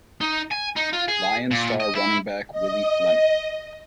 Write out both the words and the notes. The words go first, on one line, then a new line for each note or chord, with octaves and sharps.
Lions star running back Willie Fleming.
D#4
G#5
D#4
F4
G#4
A#2
D#5
E4
D#5